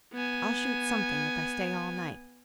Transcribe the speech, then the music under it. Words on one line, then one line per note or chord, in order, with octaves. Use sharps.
I'll shoot something, if I stay all night.
B3 G#5